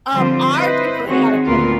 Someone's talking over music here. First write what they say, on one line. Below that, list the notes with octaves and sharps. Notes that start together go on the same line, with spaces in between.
um, our Chick-fil-A had a plate.
D3 F3 G3 C4 F4 C5
E4 B4 C5 D#5
D#3 C4 D#4 F#4 G#4 C#5
D2 A#2 B3 F4 A#4